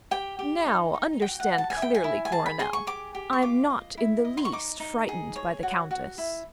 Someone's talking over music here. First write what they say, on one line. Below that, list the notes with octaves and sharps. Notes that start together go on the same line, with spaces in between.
"Now, understand clearly, Coronel, I'm not in the least frightened by the Countess."
G4 G5
G4
D#4
D#4
F#4 G5
F#5
F#4
A5
G#5
E4
G5
G#5
E4
G#5
G#4 A5
B5
G#4 C6
C#6
G4 D6
G4
C#6
F4 D6
D#5
E4
D#5
C6
C#6
D#4 D6
D#4
G#4
C#5
F#4
F#4
E4